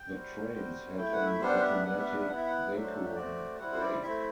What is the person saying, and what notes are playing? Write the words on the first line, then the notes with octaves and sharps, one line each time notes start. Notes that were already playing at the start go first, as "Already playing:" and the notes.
The trains had an automatic vacuum brake.
Already playing: G5
G3 C4 F#4
G3 C4 F#4
A3 E4 G5
F#5
E5
G3 B3 D4 C5
E5
G3 B3 D4 F#5
E5
E5
B3 E4 F#5
E5
F#5
F#3 A3 D4 E5
C5
A4
G4
A3 C4 F#4 D5
G3 C4 E4 F#5
C5
D5
A3 C4 E4 E5